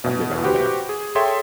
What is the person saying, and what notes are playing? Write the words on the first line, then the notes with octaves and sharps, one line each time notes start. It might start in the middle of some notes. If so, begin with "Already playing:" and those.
I can get behind that."
B2
F#4 G4 B4 C5
G#4
G#4 A4 C#5 E5 G5 C6